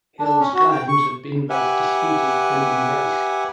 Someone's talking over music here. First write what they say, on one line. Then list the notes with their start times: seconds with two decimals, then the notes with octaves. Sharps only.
Hill's claims have been both disputed and embraced.
0.19 D4
0.40 C#4
0.54 F#4
0.72 G5
0.88 C#6
1.50 G4 B4 E5 F#5 G#5